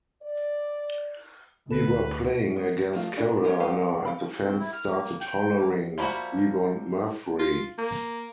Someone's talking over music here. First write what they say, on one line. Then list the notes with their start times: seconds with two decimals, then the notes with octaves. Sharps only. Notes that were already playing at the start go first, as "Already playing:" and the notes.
We were playing against Carolina, and the fans started hollering, 'We want Murphrey.
0.22 D5
1.71 D2 A4 B4
2.56 B3
2.93 F3 F#3 A3 D#4 F4
3.16 B3 D4 E4 A4
3.44 B3 C#4 G4 A#4 C#5
3.60 G3 B3 G4 B4 F5
4.05 F5 G5 B5
4.45 C4
4.60 E4
4.73 F6
4.88 A#3
5.21 G5
5.56 A#3
5.98 F3 G3 A#3 E4 F#4
7.39 F4
7.79 A#3